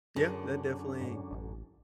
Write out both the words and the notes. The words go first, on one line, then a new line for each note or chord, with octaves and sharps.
Yeah. That definitely
F#2 D3 C#4 D4 G#4
G#2
A1